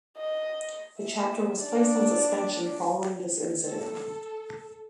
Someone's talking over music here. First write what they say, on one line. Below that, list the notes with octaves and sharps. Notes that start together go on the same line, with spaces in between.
The chapter was placed on suspension following this incident.
D#5
E5
D4 D5
A4